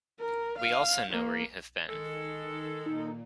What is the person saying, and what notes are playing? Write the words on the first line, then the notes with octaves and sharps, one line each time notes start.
We also know where you have been.
A#4
F5
A#3
D#3 G#3 A4
A#2 D#4